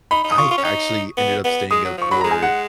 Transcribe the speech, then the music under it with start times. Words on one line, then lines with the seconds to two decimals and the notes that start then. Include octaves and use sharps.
I actually ended up staying up for
0.11 D#4 B5
0.24 D#4
0.32 D#6
0.38 F4 C#6
0.51 F4
0.58 C#4
0.64 D#4
1.17 B3
1.44 B3
1.71 G#3 D#6
1.85 F#3
1.97 F3 C#6
2.11 F#3 B5
2.21 G#3 A#5
2.31 G#5
2.42 F#5